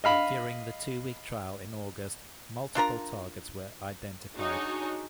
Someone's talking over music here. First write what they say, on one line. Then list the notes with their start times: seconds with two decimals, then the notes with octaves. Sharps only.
During the two-week trial in August, multiple targets were identified.
0.04 D#5 F5 B5
2.75 D4 F4 A#4 A#5
4.36 D4 D#4 F#4 G#4 C#5 D#5